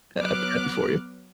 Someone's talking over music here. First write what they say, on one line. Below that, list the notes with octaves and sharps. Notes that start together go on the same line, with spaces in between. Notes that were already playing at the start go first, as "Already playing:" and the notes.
Hap happy for you.
F#3 B3 D6 F6 F#6